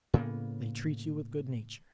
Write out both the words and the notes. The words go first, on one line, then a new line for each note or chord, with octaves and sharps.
They treat you with good-nature.
A2 C#3 A#3 B3